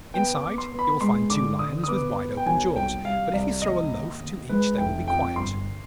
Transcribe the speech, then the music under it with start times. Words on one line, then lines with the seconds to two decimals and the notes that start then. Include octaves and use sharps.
Inside you will find two Lions with wide-open jaws, but if you throw a loaf to each they will be quiet.
0.14 B3 G5
0.35 D6
0.43 B3
0.58 C6
0.72 B3
0.79 B5
1.01 G#3 C6
1.30 D3 D6
1.59 D3 D#6
1.84 D#6
1.88 B3 D6
2.17 B3
2.37 G5
2.46 B1 G#5
2.76 C2 G5
3.04 G3 F5
3.33 C2 D5
3.62 D#2 D#5
3.92 D#2
4.20 D#2
4.49 G#3 B4
4.78 F1 G5
5.08 F2 G5
5.36 G1 C6